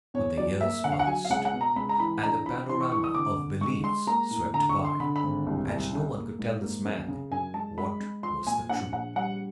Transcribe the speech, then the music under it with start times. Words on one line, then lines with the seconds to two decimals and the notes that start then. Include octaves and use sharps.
But the years passed, and the panorama of beliefs swept by, and no one could tell this man what was the Truth.
0.14 E2 C#5
0.37 F#3 D5
0.61 A#3 E5
0.84 D3 F#5
0.92 F5
0.99 F#5
1.07 F#3 G#5
1.24 F5
1.30 C#2 F#5
1.45 F#5
1.53 B2
1.61 A#5
1.76 C#2 B5
1.89 A#5
2.00 E3 B5
2.23 D4 A#5
2.46 F3 B5
2.69 E3 C6
2.81 C#6
2.92 E3 C#6
3.04 D#6
3.15 D3 D6
3.38 D3
3.61 G#3 C#6
3.84 G#3 C6
4.07 A#3 A#5
4.30 A2
4.54 D3 A#5
4.69 C#6
4.76 D3
4.85 C6
5.00 D3 B5
5.16 B5
5.23 G#1
5.47 C2
5.69 C2
5.93 C#3
6.16 A#3
6.39 G#2
6.61 A#3
6.85 F#2
7.08 C#3
7.31 F#2 G#5
7.54 G#3 A5
7.78 G#3 B5
8.00 G#3
8.23 F3 C6
8.47 A#2 G#5
8.69 A#1 F#5
8.93 A#1 F#5
9.16 G3 F#5